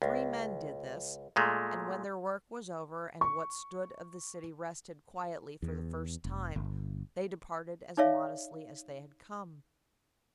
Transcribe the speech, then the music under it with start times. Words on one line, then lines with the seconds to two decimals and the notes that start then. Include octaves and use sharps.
Three men did this, and when their work was over and what stood of the city rested quietly for the first time, they departed as modestly as they had come.
0.02 C#2
1.36 A#2 G#3 A3
3.21 C#6
5.62 E2
6.25 F1
6.56 G1
7.97 D#4 G#4 C#5 D5 E5 F5